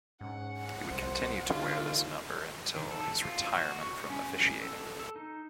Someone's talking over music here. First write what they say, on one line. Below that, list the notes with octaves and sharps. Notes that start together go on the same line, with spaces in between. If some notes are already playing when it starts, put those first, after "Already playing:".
He would continue to wear this number until his retirement from officiating.
G#2 C#4 F#5
C2 C5
D#2 D3 F4
D#3
A4
F4
F#4
C#6
C#4
A4
A4
D#4